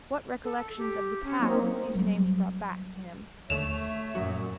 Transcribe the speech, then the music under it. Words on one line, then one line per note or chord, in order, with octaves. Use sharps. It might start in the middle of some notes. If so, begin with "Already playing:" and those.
What recollections of the past these names brought back to him!
A4
G4
C#4
F#3 A#3 C4 D#4
F#3 G3
D#2 D3 A3 C#5 E5 E7 F7
F#2 A#2 F#3 F#4